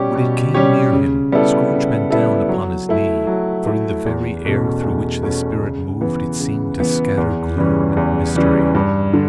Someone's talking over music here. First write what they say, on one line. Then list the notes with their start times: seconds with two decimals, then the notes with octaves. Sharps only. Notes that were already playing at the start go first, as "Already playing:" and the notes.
When it came near him, Scrooge bent down upon his knee; for in the very air through which this Spirit moved it seemed to scatter gloom and mystery.
Already playing: B2 G3 C#4 G4 C#5
0.15 B2
0.54 G3 C#4 G4 C#5
0.93 C#3
1.32 G3 B3 E4 A4
1.71 C#3
2.10 G3 B3 E4 A4
2.49 F#3
2.89 A3 E4
3.27 F#3
3.66 A3 E4
4.05 E2
4.45 B2 A3 C#4
4.84 E2
5.23 B2 A3 C#4
5.62 C#3
6.01 E3 B3
6.40 C#3
6.79 E3 B3
7.18 E2
7.58 C#3 E3 G3 C#4
7.97 E2
8.35 C#3 E3 G3 C#4
8.75 G2
9.14 D3